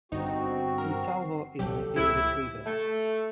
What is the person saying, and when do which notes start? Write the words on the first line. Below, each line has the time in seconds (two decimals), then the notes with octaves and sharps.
DeSalvo is an avid reader.
0.12 G1 G2 C4 D#4 F#4
0.78 A#4
1.07 C7
1.59 D#1 C2 F#3 G4 A4
1.96 C#2 A#2 F3 E4
2.66 A3